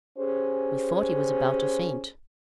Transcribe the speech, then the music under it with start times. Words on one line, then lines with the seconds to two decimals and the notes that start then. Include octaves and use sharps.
We thought he was about to faint.
0.18 C#4 G4 G#4 C5